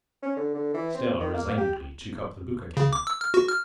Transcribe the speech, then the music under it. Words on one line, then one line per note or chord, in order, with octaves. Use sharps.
Stella resignedly took up the book again.
C#4
D3
D3
E3
C4
D#3
A#3
G4
C#3
D6
E6
F6
F#4
F6